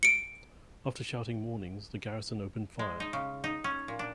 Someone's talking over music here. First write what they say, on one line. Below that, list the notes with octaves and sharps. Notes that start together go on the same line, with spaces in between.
After shouting warnings the garrison opened fire.
C#7 D7
G#3
D#4
C#3
D#4
C#4
A#2
D4